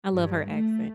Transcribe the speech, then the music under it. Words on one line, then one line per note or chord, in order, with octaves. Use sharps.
I love her accent.
G2
A3